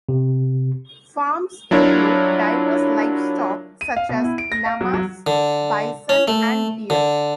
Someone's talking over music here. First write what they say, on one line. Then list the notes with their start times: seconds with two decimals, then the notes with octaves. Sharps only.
Farms include diverse livestock such as llamas, bison, and deer.
0.09 C3
1.71 F#3 D4 E4 F4 A#4 C#5
3.81 D#7
3.96 F5
4.09 B2
4.24 E4
4.38 D7
4.52 A#6
4.66 F5
4.81 F#3
4.94 F#3
5.27 D3
6.09 C#4
6.28 A3
6.90 D3